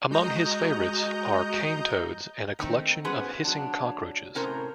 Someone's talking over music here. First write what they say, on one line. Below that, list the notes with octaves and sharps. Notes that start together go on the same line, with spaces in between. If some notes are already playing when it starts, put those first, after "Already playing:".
Among his favourites are cane toads and a collection of hissing cockroaches.
G#3 F#4 D#5 A#5 G6
D#3 A3 C4 D#4
B3 C#4 F#4 G#4 B4 C5
F#3 D4
A2 C3 C#4 A#4 C5 A#5